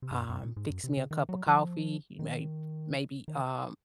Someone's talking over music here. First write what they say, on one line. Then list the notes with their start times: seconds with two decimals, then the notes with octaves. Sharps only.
Um, fix me a cup of coffee. May maybe, um,
0.02 C3
0.11 G#2
0.16 F#2
0.29 F#2
0.43 A#2
0.56 G#2
0.70 F#2
0.84 C3
0.97 C#3
1.11 D#3
1.29 F#3
1.46 F3
2.19 D#3
3.28 D#3